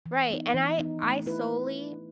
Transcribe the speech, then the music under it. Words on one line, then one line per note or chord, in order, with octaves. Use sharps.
Right, and I I solely
E3
B3 D#4
E3
B3 D#4
A3
E4 B4